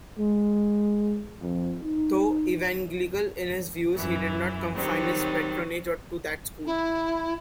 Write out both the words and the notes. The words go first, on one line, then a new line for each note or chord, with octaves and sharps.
Though Evangelical in his views he did not confine his patronage to that school.
G#3
F2
D#4
F#2 E3
D#3 F#3 G3 C4
E4